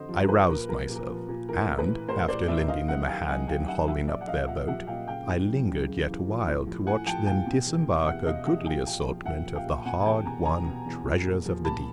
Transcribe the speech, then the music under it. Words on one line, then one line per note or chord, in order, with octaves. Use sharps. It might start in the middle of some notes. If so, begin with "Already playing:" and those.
I roused myself, and, after lending them a hand in hauling up their boat, I lingered yet awhile to watch them disembark a goodly assortment of the hard-won 'treasures of the deep.'
Already playing: F2 D3 C5 D#5
F3
A#4
F3 B4
A#2 A#4
F3 A#4
A#2
A#4
F3
A#2
E3 A#4
A2
B4
E3
A2 A#4 C5
E3 C5 D5
A2 D5 E5
E5
D#3 D#5 F5
F#2 E5 F#5
D#3 F5 G5
F#2 F#5 G#5
D#3 F5 G5
F#2 E5 F#5
F3 E5 F#5
A#2 D5 E5
F#5
F3 D#5 F5
A#2 E5 F#5
F3 E5 F#5
A#2 F5 G5
C#3 F5 G5
E3
F#2
F#2
C#3
E3
F3
A2
F3
A2 F#5 G#5
F3 G5 A5
A2 F5 G5
B2
E2
B2
E2 E5 F#5
B2 D#5 F5
E2 E5 F#5
F3 F5 G5
A#2 F5 G5
F3
A#2 E5 F#5
F3
F5 G5
A#2
B2 F#5 G#5
G#5
E2 G5 A5
B2 G#5 A#5
E2 G#5 A#5
B2
E2
F3
A#2
F3
A#2 A5 B5